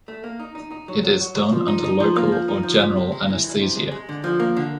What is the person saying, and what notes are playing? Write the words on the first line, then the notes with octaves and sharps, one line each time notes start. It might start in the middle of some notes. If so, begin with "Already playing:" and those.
It is done under local or general anesthesia.
A3
A#3
D#4
D#4
D#4
F#3
F#3
F#3
F#3
F3
D#4
D#4
F3
A#3
F3
D#4
F3
C3
C3
G#3
E3
E3
C3
G#3
G#3
D3
F3
A#3
D3